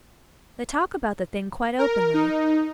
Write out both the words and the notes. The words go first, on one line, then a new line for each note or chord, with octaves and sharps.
'They talk about the thing quite openly.
A#4
D#4